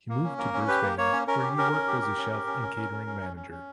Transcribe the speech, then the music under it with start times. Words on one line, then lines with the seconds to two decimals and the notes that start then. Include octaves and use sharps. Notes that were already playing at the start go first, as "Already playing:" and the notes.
He moved to Brisbane where he worked as a chef and catering manager.
0.09 A#3
0.24 C#4
0.38 A#3 A#4
0.54 C#4
0.68 G4 B4
0.83 A#3
0.98 A#3 C#5
1.13 C#4
1.27 C#4 A#4
1.43 G4
1.58 C#4 A#4
1.73 C#4
1.88 G4
2.02 G4
2.17 C#4
2.33 G4
2.47 C#4
2.62 C#4
2.76 C#4
2.92 C#4
3.07 C#4
3.21 C#4
3.36 C#4
3.51 C#4